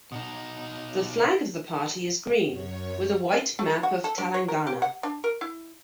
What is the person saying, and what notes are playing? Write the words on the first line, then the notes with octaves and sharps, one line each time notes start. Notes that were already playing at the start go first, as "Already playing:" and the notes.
The flag of the party is green, with a white map of Telangana.
B2 D#4
F#2 C#5
A3
F#4
A4
D4
C#5
A#4
G4
F#5
D4
A#4
E4